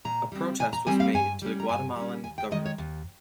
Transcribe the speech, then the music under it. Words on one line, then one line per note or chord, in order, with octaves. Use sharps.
A protest was made to the Guatemalan Government.
A#2 A#5
G3 C4
A#2 G#5
A#5
G3 C4 G#5
F5
G2 G#5
G3 C#4
A#5
G2 G#5
G3 C#4
D#2 G#5
G5
D#3 G#3 D#5
C#5
D#2